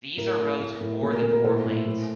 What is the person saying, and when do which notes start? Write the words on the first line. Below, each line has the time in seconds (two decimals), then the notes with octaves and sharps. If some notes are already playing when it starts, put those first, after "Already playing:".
These are roads with more than four lanes.
0.17 A2 A#4
0.39 A2
0.60 A2
0.81 A2
1.01 A#2 A4
1.13 A#4
1.22 A#2
1.33 A#4
1.44 A2 A4 C5
1.66 A2
1.86 A2